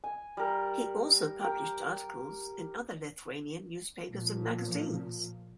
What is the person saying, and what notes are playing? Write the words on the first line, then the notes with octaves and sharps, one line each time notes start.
He also published articles in other Lithuanian newspapers and magazines.
G#5
G3 A#4
G4 A#4
A#2 F3